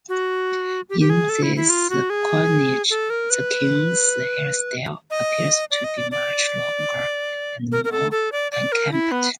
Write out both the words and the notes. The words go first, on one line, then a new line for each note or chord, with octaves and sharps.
In this coinage the king's hairstyle appears to be much longer and more unkempt.
F#4
G4
G4
G#4
A4
E4
E4
F4
F#4
G#4
A4
A#4
B4
D#5
D5
D#5
D5
D5
A#4
A#4
A4
A4
D5
D5
A#4
E4
B3